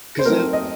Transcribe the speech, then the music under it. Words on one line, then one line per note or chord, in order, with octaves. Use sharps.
'Cause then
C5
F#3 A3 C4 D#4 A#4
D#5